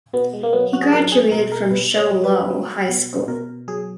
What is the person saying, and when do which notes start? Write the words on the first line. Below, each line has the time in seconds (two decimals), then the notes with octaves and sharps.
He graduated from Show Low High School.
0.13 B2 B3
0.33 G#3
0.43 A#3
0.53 F#3 B3
0.73 F#4
0.82 G#4
0.92 F#3 A#4
1.12 G#4
1.31 B2 A#4
1.52 A#4
1.71 B2 B4
1.97 C#5
2.10 F#3
2.24 B4
2.50 F#3
2.89 B2
3.28 B2 A#4
3.68 F#3 G#4